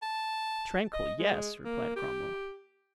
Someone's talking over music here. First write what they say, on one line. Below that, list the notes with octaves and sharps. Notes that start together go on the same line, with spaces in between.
"Tranquil, yes," replied Cromwell.
A5
D#5
G#3
A#3
G4